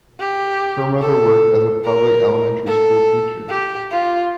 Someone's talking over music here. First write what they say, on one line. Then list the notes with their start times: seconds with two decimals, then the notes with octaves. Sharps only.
Her mother worked as a public elementary school teacher.
0.20 G4
1.01 A4
1.85 A#4
2.67 A4
3.49 G4
3.91 F4